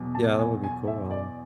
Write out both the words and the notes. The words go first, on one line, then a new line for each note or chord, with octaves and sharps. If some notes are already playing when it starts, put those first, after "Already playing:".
Yeah, that would be cool, um,
Already playing: E2 B2 F#3
A5
G#5
G#5
E5
D5